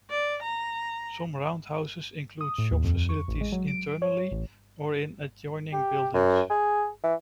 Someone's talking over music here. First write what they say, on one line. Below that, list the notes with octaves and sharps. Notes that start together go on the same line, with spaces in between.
Some roundhouses include shop facilities internally or in adjoining buildings.
D5
A#5
D#6
A2
D#2
F2
C#6
A1
G#3
F#3
D7
C#5
A1
G4
F#2
G#4
E3